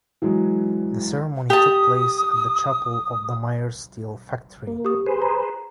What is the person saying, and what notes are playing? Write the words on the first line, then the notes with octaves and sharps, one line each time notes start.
The ceremony took place at the chapel of the Mieres steel factory.
E3 F#3 G#3
G4 A5 D#6
A#3
G4 D#6
G#4 B4 C5
A#5